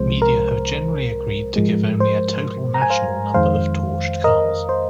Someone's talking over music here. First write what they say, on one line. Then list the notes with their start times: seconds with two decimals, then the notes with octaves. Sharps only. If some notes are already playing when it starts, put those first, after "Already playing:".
Media have generally agreed to give only a total national number of torched cars.
Already playing: C2 C3 F3 G#3 C5
0.22 A#4
1.56 G#2 F3 G#3
2.00 C5
2.74 A#5
2.82 G#5
2.90 C5 F5
3.34 F2 D#3 G#3 C5 F5
4.24 A#4 D#5
4.69 C5